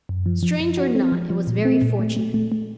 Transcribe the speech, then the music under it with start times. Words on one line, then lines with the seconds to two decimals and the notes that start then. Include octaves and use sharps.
Strange or not, it was very fortunate.
0.09 F#2
0.26 F3
0.43 F3
0.61 F3
0.77 F#4
0.95 C4
1.12 F3
1.30 F3
1.47 A#2
1.65 C4
1.82 A#2
1.99 A3
2.17 A3
2.34 A3
2.52 A3